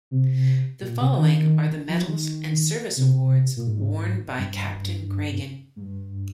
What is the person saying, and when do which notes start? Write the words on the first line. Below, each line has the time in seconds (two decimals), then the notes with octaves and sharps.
The following are the medals and service awards worn by Captain Cragen.
0.11 C3
0.82 A#2
1.00 C3
1.18 D#3
1.89 F3
2.07 D#3
2.97 C3
3.57 A#2
3.67 G#2
4.38 G2
5.76 G#2
5.81 G2